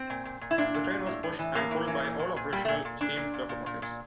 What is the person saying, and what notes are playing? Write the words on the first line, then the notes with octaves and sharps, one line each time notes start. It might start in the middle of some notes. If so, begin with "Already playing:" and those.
The train was pushed and pulled by all operational steam locomotives.
Already playing: C4
A#2
A#2
A#2
E4
A#2 D4
A#2
A#2
A2
A2
E3
A2 A#3
A2
E3
A#2
A#2
A#2
A#2 G3
A#2 A3
A#2
A#2 D4
A#2
A#2
A#2
A#2
A#2